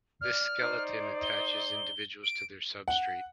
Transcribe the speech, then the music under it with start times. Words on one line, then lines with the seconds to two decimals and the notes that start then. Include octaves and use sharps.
This skeleton attaches individuals to their substrate.
0.21 D5 F6
0.59 D#4 C5 D5
1.23 G7
2.23 D7
2.88 F#5